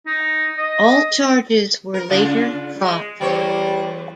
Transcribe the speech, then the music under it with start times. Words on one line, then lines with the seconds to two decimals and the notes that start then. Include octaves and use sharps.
All charges were later dropped.
0.07 D#4
0.58 D#5
1.94 A#4
2.10 C#3 D4 F4
2.81 G#3
3.21 E2 G3 C5 C#5